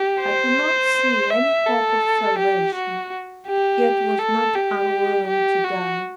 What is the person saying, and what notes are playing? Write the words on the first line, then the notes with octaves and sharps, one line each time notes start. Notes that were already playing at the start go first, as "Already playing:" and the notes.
I could not see any hope of salvation, yet was not unwilling to die.
Already playing: G4
C5
E5
A4
G4
F#4
G4
A4
G4
G4
F#4